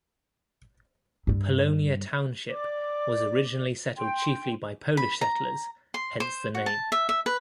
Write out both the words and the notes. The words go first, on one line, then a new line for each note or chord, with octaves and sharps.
Polonia Township was originally settled chiefly by Polish settlers, hence the name.
G2 G3
D5 D6
G5 C6
B5
A#5
C6
C5
F#4
A5
E5
E5
B4